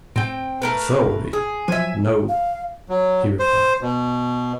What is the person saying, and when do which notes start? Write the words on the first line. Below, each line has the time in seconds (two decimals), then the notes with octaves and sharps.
"Authority?--no," he replied.
0.16 A2 C4 G5
0.62 A3 A#4 B4
1.06 G#1
1.33 G#4
1.68 F3 F#3 E5 G#5 D#7
2.29 F5
2.89 F#3
3.39 C5
3.81 B2